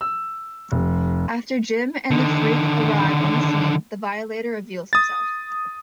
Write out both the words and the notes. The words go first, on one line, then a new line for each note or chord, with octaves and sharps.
After Jim and the Freak arrive on the scene, the Violator reveals himself.
E6
F1
D3 D#3
D#6 A6